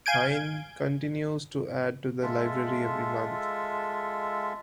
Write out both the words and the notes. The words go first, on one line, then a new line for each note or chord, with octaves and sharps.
Hein continues to add to the library every month.
F5 G#5 G6 G#6 D7
G#3 F4 A4 E5